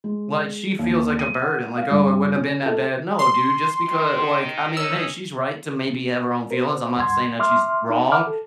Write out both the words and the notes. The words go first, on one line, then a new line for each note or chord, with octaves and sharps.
Like, she feels like a burden, like, "Oh, it wouldn't have been that bad." No, dude, just because like I mean hey, she's right to maybe have her own feelings, I'm not saying that she's wrong
G#3
D#2
D#7
F#5
F5
G2
C#4
A4
C6
D#3
C#4 D#4 E6
A#4 C5
C#2 G2 F#5 C6 G#6
E5 C6 D6 F6
D#4
E5 F#5 B5 D6 F6
A4